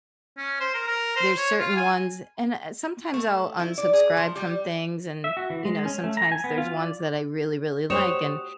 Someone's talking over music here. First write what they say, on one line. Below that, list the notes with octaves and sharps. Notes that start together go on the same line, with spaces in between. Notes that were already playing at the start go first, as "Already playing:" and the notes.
there's certain ones and, uh, sometimes I'll unsubscribe from things, and, you know, sometimes there's ones that I really, really like, and,
C#4
C5
A#4
A#4
C5
C#5
F4
G#5
A3
E4
D5
G#4
F3
G3
E5
F#4
E3
G#3
C#4
A3
A#5
G#5
B3
F4
D5
F#4 G4 C5 C#5 D#6 E7 F7